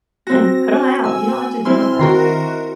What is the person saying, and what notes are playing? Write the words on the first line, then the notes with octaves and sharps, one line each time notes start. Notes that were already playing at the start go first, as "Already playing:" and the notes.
An put 'em out, you don't have to deal with that.
C4 F#4 A#6
G#5 E6
C4 E4 C6 F6
D#3 F#4 A#4 A#5 C6